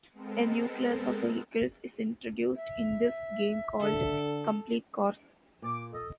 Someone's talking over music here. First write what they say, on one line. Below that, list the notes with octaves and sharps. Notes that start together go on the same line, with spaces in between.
A new class of vehicles is introduced in this game called "Complete Cars".
G#3 B3 C4 A4 A#4
E5
D3 A4
A#2 D6
A4 D#5